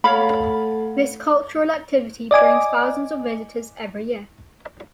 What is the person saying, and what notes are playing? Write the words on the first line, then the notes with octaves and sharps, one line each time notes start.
This cultural activity brings thousand of visitors every year.
A3 A4 C#5 F5 F#5 B5
D5 D#5 G#5 D6